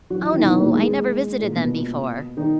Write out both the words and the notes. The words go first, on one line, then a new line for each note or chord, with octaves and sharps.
"Oh, no. I never visited them before."
F#3 F#4
E3 E4
D#3 D#4
B2 B3
A#2 A#3
G#3
A#2 A#3
B2 B3
D#3 D#4